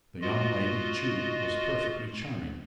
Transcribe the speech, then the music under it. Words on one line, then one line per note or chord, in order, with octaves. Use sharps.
The young lady, too, was perfectly charming.
F4 F#4 D#5